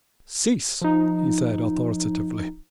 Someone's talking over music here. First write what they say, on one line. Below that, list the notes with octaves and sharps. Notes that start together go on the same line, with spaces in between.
"Cease!" he said authoritatively.
F3 D#4